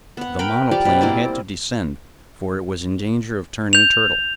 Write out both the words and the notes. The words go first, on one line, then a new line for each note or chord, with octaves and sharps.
The monoplane had to descend, for it was in danger of turning turtle.
B3 F#5
A#4 B4 G5 B5
F3 G3 G4 D5
B2 B4
A#3 C4 E4 D5
G6 F7